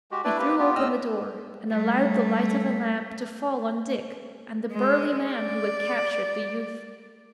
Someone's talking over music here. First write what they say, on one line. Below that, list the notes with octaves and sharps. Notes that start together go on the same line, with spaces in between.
He threw open the door and allowed the light of a lamp to fall on Dick and the burly man who had captured the youth.
G#3 F#4 G4
D4 E4 B4 D5
A#3 C4 G4 B4
B3 F4 G4
A2 C4 D#5 E6 F6
G3 A3
G#3
D5